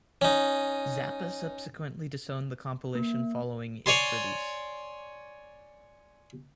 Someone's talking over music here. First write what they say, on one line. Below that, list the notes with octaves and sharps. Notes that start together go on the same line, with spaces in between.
Zappa subsequently disowned the compilation following its release.
C#4 D#4
A#3
C#5 D5 G#5 C6